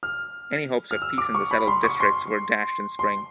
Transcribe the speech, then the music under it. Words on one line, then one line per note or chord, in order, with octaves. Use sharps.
Any hopes of peace in the Settled Districts were dashed in spring.
F6
F6
E6
D6
C#6
B5
C6
C#6
C6
C6